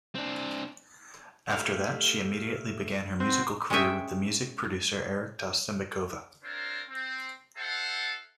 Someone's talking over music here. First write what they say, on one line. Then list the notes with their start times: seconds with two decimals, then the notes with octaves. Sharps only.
After that, she immediately began her musical career with the music producer Eric Tastambekova.
0.15 C4 D4
1.52 A3 G4 F5
3.20 C4 F#4
3.70 G#3 C#4 C#5 D#5 E5 G5
6.43 C4 D4 F4 A#4 C5 C#5
6.89 C4
7.57 E4 A4 C5 F5 F#5 A5